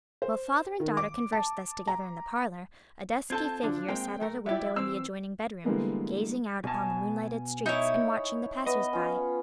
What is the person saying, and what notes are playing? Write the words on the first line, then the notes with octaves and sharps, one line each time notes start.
While father and daughter conversed thus together in the parlor, a dusky figure sat at a window in the adjoining bedroom, gazing out upon the moonlighted streets and watching the passers-by.
C5
D#3
D6
A5
A#5
C4 F4 A4 A5 G6 G#6
F#2 D3 F3 D4
G#3 A#3 C4 G5
B1 A3 A#4
F#3 E4 G4 D5 E5
E3 C4 E6
D3 E3 G3 G#3 A#3 B3
B2 G#5 A5
D#4 E4 C#5
B3 D#5
C#4 F4